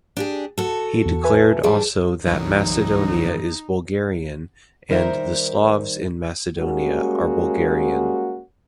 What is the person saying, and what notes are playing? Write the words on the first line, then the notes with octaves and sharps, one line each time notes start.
He declared also that Macedonia is Bulgarian and the Slavs in Macedonia are Bulgarian.
D4 G4 G#4
F#4 A4
E2
B4 E5 G#5
E3 G3 D4 G#4
C2 F#2 D3 E3 F#3 D#4
D#3 G3 D#4 A#4 C5 E5
G3 G#3 A#3 C#4 F#4